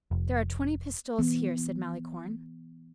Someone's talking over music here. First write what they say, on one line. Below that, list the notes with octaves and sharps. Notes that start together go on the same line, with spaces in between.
"There are twenty pistoles here," said Malicorne.
F1
E3 B3